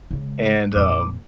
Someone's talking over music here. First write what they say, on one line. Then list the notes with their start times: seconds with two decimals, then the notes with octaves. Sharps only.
and, um,
0.11 C#3 G#3
0.76 F2 A#2 D6